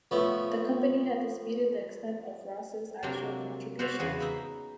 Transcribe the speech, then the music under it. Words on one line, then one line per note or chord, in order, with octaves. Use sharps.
The company had disputed the extent of Ross's actual contributions.
F3 A3 B3 C#4
C3 F#3 A#3 C4 D4
F#4 C5 D5 E5 F5
E2 C#3 E3 F#4 G#4
D#4 E5 B5